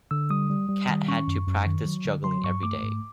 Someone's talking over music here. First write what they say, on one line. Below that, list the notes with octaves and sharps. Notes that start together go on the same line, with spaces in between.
Cat had to practise juggling every day.
D3 E6
G3 D#6
G3
G3
D#3
C#4 C#6
F#2
F#2
D#3
F#3
D3
F#3 C6
G2 C#6
A3 D6
G#2